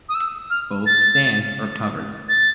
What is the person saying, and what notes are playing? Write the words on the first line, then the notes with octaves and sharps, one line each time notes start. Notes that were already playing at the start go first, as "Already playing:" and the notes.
Both stands are covered.
D#6
E6
F6
A6
A6